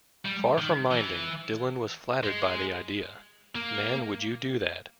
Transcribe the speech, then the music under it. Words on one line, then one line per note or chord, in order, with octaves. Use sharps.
Far from minding, Dylan was flattered by the idea: Man, would you do that?
G3
D#3
E3
G#3
A#3